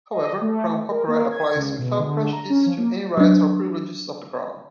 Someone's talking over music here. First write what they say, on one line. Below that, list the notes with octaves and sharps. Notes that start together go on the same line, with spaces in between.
However, Crown copyright applies "without prejudice to any rights or privileges of the Crown".
D#5
A3
A#4
A#3
G#6
C#2
B2
D3
A#5
C#4
F3
A#3
F#3 D4